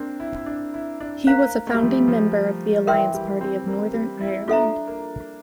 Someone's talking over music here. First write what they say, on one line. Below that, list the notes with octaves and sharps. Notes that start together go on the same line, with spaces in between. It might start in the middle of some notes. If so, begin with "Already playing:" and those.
He was a founding member of the Alliance Party of Northern Ireland.
Already playing: A#3 C4 D4
E4
E4
D4
E4
D4
A#3 C5 F5 A#5
A3
G3
F3
G3
F3
E3 A#4 E5 G5 C6
G3
C4
A#3
G3
E4
D4 F4 A4 E5 A#5
A#3